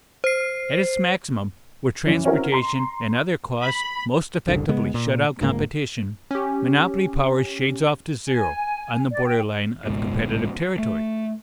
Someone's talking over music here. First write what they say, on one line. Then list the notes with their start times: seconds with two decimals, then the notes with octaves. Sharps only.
At its maximum where transportation and other costs most effectually shut out competition, monopoly power shades off to zero on the border-line of competitive territory.
0.24 C5 C7
2.06 F#2 E3 C#4
2.24 C4 C#4 E4 F#4 A#4
2.52 A#5 C6
3.61 B5
4.48 F#1 C2 D3
4.69 C#3 G#3 B3
4.94 A#2
5.41 D1 D2 G#2 A#3
6.31 C#4 G4
8.28 G#5
9.12 D5
9.26 G5
9.86 G#1 C#2 G#2 B2
10.78 A3